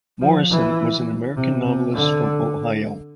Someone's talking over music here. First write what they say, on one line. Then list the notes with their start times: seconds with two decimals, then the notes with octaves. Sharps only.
Morrison was an American novelist from Ohio.
0.22 F3
0.50 E3
1.37 C3
1.65 C3
1.93 D3